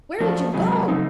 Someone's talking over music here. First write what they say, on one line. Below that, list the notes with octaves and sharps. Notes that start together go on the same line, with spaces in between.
"Where did you go?"
F3 F#3 A3 D4 F4
C3 E3 F#3 G#3
C#3 F3 A3 C4 D#4